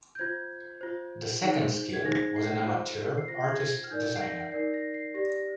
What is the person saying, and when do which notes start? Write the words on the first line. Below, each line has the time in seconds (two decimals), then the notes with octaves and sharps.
The second skill was an amateur artist designer.
0.15 G6
0.19 F4 C5 G#6
0.81 F4 C5
1.42 D#4 G#4 C5
1.93 G#6
2.05 D#4 G#4 C5 A#6
2.36 C7
2.66 F4 C5
3.18 C7
3.28 F4 C5 A#6
3.44 G#6
3.60 G#6
3.84 F6
3.91 D#4 A#4 D5 G6
4.16 C7
4.21 A#6
4.52 D#4 A#4 D5 C7
4.74 A#6
4.94 C7
5.14 G4 D5 A#6
5.29 A#6